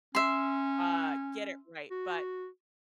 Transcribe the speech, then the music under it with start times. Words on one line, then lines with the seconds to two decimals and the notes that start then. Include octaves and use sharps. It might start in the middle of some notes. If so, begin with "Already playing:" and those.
uh, get it right, but,
0.15 C#4 E5 C6
1.91 F#4